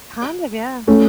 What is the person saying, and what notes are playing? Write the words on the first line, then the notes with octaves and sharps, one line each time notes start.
Kind of, yeah.
A3 C#4